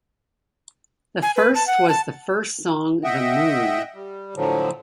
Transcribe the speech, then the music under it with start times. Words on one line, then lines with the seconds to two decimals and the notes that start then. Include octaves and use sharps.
The first was the first song The Moon.
1.22 G#5
1.36 B4
1.55 A5
1.67 F#5
1.89 A5
3.04 D#5 E5 F#5 G5
3.94 G3
4.36 A2 D3 F3 F#3